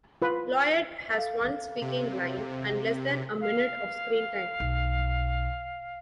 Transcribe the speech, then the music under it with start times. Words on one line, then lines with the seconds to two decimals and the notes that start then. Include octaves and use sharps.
Lloyd has one speaking line, and less than a minute of screen time.
0.22 F4 B4
1.15 A4 F5
1.82 C3
3.41 F5
4.60 B1